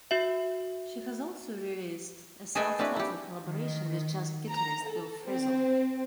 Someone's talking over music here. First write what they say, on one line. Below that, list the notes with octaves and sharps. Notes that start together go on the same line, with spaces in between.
She has also released a self-titled collaboration with jazz guitarist Bill Frisell.
F#4 E5
G#4 A4 B4 D#5 G5 G#5
C4 D4 E4 F#4 B4
E4 G4
D#3
A#5
A4
C4